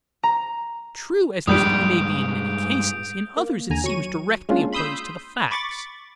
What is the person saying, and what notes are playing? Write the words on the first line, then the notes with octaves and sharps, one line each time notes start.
True as this view may be in many cases, in others it seems directly opposed to the facts.
A#5
A#1 G2 G3 G#3 D#6 G6 D7
A#3
D#2 D3 G#5 A#5
F#3 C#6 D#7
G#3 A#3 C#4 D4 F4
B5 C6 D#6 E6 G6
B5 C#6 D6 A6